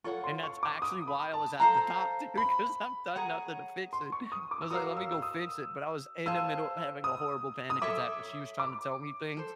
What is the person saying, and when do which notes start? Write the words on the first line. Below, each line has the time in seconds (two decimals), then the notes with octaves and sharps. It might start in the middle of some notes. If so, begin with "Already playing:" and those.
and that's actually why I was at the doctor 'cause I've done nothing to fix it. I was like, "Let me go fix it," but I was in the middle of having a horrible panic attack, but she was trying to tell me things,
0.04 F4 A4 C#5 F#5 C#6
0.24 C6
0.43 C#6
0.63 D6
0.82 D#6
1.08 B5
1.34 A5
1.60 A4 C5 F5 A#5
2.37 B5
3.16 G#4 C#5 F#5 A#5
3.93 C6
4.12 C#6
4.32 D#6
4.51 D6
4.62 E6
4.70 F#4 A#4 C#5 F5 D#6
4.97 E6
5.12 E6
5.22 D#6
6.26 G#4 C5 F5 A5 E6
7.04 D#6
7.70 D#6
7.82 A4 C#5 E5 D6
8.60 D6
9.37 A4 C5